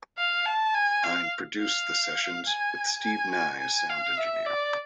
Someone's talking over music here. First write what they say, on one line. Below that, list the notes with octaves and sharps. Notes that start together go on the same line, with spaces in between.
Hine produced the sessions, with Steve Nye as sound engineer.
F5
A5
G#5
F5
F5
G#5
G#5
G#5
G#5
F5
E5
D5